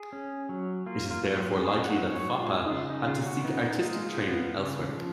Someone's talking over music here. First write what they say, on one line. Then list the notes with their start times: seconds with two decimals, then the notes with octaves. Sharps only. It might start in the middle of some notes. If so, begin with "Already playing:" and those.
It is therefore likely that Foppa had to seek artistic training elsewhere.
Already playing: G#4
0.13 C#4
0.49 F#3
0.86 A#3 F4
1.11 F4
1.23 F#3
1.60 A#3 G#4
1.84 F#5
1.97 F#3
2.09 C#5
2.34 G#3 F4
2.66 D#4
2.71 C#3 F4
2.90 D#4
3.08 C#3 F4
3.26 F#4
3.44 B3 D#4
3.63 D#4
3.81 G#3 F4
4.19 B3
4.56 C#3
4.92 F3